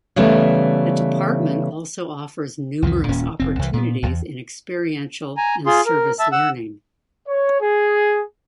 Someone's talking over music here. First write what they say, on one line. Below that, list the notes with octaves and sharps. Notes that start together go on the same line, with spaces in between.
The department also offers numerous opportunities in experiential and service learning.
C#3 E3 G3 A3 B3
C2 F2 D#3 E3
D#1 A#2 C#4
F1 C4
C2 E3
A#2 B3
D#1 E2
G#5 A#5
F4 G#4 C6
A#4
E5 A5 E6
F#5 E6
C#5
G#4